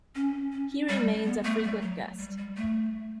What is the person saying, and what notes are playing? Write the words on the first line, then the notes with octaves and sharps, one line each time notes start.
He remains a frequent guest.
C#4
C#4
G3
B3
A3
G3
F#3
G3
G3
A3